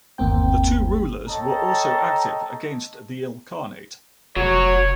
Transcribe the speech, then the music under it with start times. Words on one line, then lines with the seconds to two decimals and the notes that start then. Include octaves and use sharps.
The two rulers also were active against the Ilkhanate.
0.18 G1 D#2 A#3 C4 G5
1.29 A4 C#5 D#5 G5 A5 A#5
4.36 F1 F#3 C#5